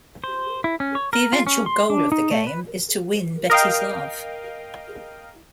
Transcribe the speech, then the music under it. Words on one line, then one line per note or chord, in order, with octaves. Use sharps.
The eventual goal of the game is to win Betty's love.
C5
E4
C#4
C#5
A#4
F4
C#4
C6
D4
D#4
A3
B4
A#4 D#5 F5 G5